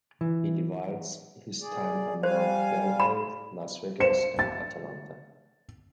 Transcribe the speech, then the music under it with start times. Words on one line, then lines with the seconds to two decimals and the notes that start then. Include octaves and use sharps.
He divides his time among Bel Air, Las Vegas and Atlanta.
0.21 E3
1.61 G#4 D5
2.23 G3 C5 F5 G#5
3.00 B5
4.00 C5 C#7 E7
4.39 A6